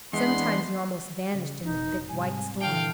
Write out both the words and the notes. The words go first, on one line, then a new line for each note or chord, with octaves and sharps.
Sometimes he almost vanished in the thick white storm.
E2 E3 G#3 D4 F#5 B5 C6
C#3
F1 B2 D#4
G#2 C3 G3 G#5
A#2 D3 E3 F5 G5 A5